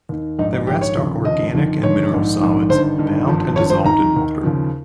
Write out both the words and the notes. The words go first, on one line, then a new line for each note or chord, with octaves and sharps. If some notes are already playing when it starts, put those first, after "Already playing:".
The rest are organic and mineral solids bound and dissolved in water.
D#2 D#3
A#1 G#2 D#3 D#4
D#4
A#1 G#2 D#3 G4
C#5
F1 D#2 C#3 F3
F1 D#2 C#3 F3 D#5
G1 F2 D#3
G1 F2 D#3 C#5
A#1 G#2 D#3
A#1 G#2 D#3
G1 G2 D#3 C5
G1 G2 D#3
G#1 G2 F3
G#1 G2 F3 C#5
C5
D#2 D#3 A#5
D#2 D#3
D#2 C#3 F3